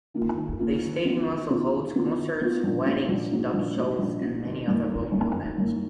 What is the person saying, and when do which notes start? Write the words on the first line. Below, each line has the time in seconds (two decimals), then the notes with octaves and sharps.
The stadium also hosts concerts, weddings, dog shows, and many other local events.
0.14 D#3 A#3 F4
0.37 D#2
0.59 D#3 A#3 F4
0.82 D#2
1.05 D#3 F#3 B3 F4
1.28 D#2
1.50 D#3 F#3 B3 F4
1.73 D#2
1.95 D#3 F#3 B3 F4
2.19 D#2
2.41 D#3 F#3 B3 F4
2.63 A#1
2.86 G#2 F#3
3.08 A#1
3.32 G#2 F#3
3.53 A#1
3.76 G#2 F#3
3.99 A#1
4.21 G#2 F#3
4.44 G#1
4.67 F#2 D#3 A#3
4.90 G#1
5.12 F#2 D#3 A#3
5.35 G#1
5.58 F#2 D#3 A#3